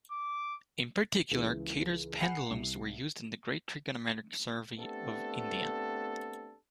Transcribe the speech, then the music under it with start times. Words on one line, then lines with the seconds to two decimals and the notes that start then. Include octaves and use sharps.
In particular, Kater's pendulums were used in the Great Trigonometric Survey of India.
0.11 D6
1.31 C#2 E3
2.20 F#5 G#5 B5 C7 C#7
2.51 C2
4.77 A3 B3 C4 D4 G4 A4